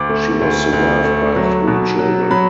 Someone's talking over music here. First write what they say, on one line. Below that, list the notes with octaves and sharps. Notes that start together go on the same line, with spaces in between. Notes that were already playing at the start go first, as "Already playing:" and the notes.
She was survived by three children.
Already playing: D2 D6
A3
D2
D2
A3
F#3
B2
F#3
F#3 B5